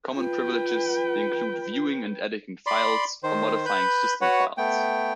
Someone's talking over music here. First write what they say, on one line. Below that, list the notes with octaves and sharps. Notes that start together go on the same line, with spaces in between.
Common privileges include viewing and editing files, or modifying system files.
F4 B4 G5
D5 B5 C6
D#3 C5
B4 B5 G6
F#4 B4 C#5 F#5
A3 B3 G5